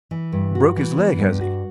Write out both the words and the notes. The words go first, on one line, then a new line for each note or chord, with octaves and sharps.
"Broke his leg, has he?"
E3
G2
F#4
E3
B3
G2
F#4